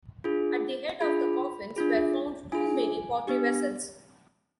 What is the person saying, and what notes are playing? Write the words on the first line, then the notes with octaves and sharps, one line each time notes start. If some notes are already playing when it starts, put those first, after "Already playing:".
At the head of the coffins were found too many pottery vessels.
D4 F4 G#4
D4 F4 G#4 B5
D4 F4 G#4
D4 F4 G#4 G#5
B3 D4 G4